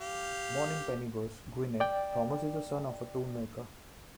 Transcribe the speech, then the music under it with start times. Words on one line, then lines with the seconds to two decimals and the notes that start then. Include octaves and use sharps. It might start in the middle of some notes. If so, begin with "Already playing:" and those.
Born in Penygroes, Gwynedd, Thomas is the son of a toolmaker.
0.01 G4 F5
1.80 D5 G5